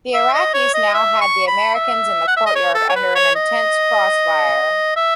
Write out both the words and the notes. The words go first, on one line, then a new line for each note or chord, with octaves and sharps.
The Iraqis now had the Americans in the courtyard under an intense crossfire.
E5
D#5
C#5
D#5
E5
C#6
B5
E5
F#5
E5
D#5
C#5
A4
C#5
B4
C#5
D#5
E5